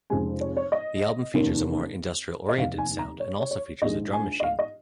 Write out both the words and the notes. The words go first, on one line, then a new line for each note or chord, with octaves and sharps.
The album features a more industrial-oriented sound and also features a drum machine.
F1 F2 C#3 G#3 G#5
C#5
C#5
D#5
F1 D#2 D#3 A#3 C#4
D#5
F1 D#2 D#3 F5
G#5
A#5
C#5
C#5
C#5
A#1 G#2 D#3 G#3 D#5
G#5
D#5
F5
D#5